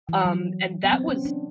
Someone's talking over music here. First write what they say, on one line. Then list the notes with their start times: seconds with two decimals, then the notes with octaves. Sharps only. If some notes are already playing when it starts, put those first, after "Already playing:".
Um, and that was
0.09 E3
0.25 F#3
0.84 B3
0.93 C4
1.09 C#4
1.25 D4